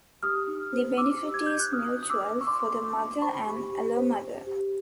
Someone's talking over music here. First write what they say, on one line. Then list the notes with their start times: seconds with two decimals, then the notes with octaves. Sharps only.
The benefit is mutual for the mother and allomother.
0.23 G4 D#6 F6
0.47 D#4
0.73 C5
0.97 D#4 D6 E6
1.23 G4
1.34 G#6
1.46 D#4 G6
1.60 F#6
1.72 F#4 D#6 F6
1.97 D4
2.03 D#6
2.10 D6 E6
2.22 B4
2.41 C#6
2.47 D5 C6 D6
2.73 F#4
2.97 D4
3.22 C5 B5 C#6
3.46 G4
3.72 G4
3.97 C5
4.21 C5
4.47 G4